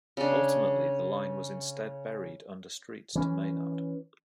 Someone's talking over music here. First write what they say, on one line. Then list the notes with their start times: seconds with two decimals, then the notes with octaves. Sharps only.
Ultimately the line was instead buried under streets to Maynard.
0.17 C#3 D4
3.15 E3 C#4